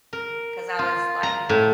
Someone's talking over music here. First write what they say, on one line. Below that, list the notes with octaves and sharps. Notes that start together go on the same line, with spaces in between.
'cause I was, like,
A#4
F4
A#5
A2